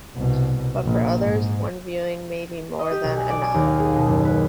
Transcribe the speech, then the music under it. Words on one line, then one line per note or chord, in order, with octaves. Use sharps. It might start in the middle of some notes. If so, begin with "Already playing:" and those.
But for others, one viewing may be more than enough.
C2 B2
A#1
G#2
D#5
G4
B1
G#5
D5
G#5
D#2
F5
G#4
B2
F#1
B4